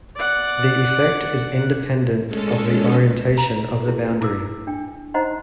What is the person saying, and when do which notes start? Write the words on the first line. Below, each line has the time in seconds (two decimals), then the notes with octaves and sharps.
The effect is independent of the orientation of the boundary.
0.17 D5 F#5
2.27 G#3 C#4 A4
3.38 A#5
3.86 E4 G#4
4.21 E4 D6 E6
4.67 D4 G5
5.14 D#4 C5 D#5 F#5 A#5 C6